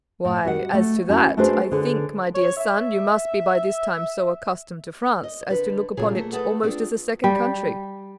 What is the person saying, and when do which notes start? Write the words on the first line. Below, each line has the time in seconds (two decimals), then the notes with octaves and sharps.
"Why, as to that--I think, my dear son, you must be by this time so accustomed to France as to look upon it almost as a second country."
0.25 A2
0.44 G3 F#4 F#5
0.73 A3
1.09 C#4 E4 F#4
1.37 A3 D4 F#4 G#4 B4 C5
1.72 D3 G#4 B4
2.35 C#5
2.57 E5
5.23 D#5
5.50 D3 B4
5.97 A#2 C#3 F#3 G#4
6.15 A3 A#3
6.33 A3 E4 G#4 A4 B4 F#5
6.63 A3 C4 D4 F4 G#4
7.24 G3